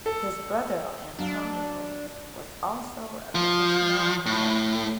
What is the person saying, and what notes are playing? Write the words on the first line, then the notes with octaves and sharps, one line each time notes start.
His brother Antonio was also a professional runner.
A4
F#3 D4 F5
F3
A2